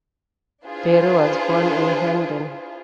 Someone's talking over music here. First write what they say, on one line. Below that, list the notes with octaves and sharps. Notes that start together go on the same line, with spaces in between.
Berry was born in Hendon.
D4 E4 F4 G#4 B4 C5